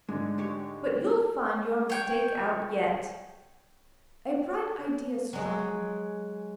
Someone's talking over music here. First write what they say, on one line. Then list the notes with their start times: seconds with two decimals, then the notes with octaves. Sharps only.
But you'll find your mistake out yet.' A bright idea struck him.
0.09 G#2 D3 G#3
0.38 G#3 G4 C#5
1.90 C#5 G5
5.33 F#3 G#3 F#4